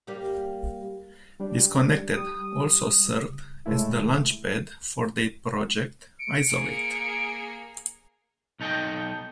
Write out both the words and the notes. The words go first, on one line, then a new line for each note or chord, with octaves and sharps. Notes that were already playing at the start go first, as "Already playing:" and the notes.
"Disconnected" also served as the launch pad for their project "Isolate".
G3 A#3 G4
G3 D4
G3 D#6
A2 G#3 A3 E4
C#7 D7
A#3 G#4
B1 D#4 A4 D#5 G5